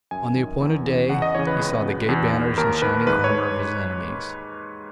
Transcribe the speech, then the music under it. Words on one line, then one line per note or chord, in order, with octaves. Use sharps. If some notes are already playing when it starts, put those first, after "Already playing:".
On the appointed day he saw the gay banners and shining armor of his enemies.
F#2 G#5
D#3
E2
C#3 E3
E2 F#5
D#5
C#3 E3 C#5
B4
C#2
B2
E2
D#3
D#2 A#4
D#3 B4
G#2 B4
C#5